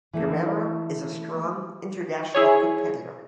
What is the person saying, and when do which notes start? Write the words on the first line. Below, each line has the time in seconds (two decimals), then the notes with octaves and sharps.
Guerrero is a strong international competitor.
0.13 E3 A3 A#3
2.34 E4 G#4 C#5